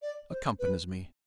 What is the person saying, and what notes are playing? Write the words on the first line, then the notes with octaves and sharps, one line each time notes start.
'Accompanies me.
D5
C5
B4